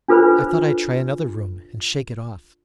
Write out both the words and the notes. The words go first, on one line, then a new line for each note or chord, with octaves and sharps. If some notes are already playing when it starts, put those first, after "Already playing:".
I thought I'd try another room, and shake it off.
D4 F4 A4 B4 C5 B5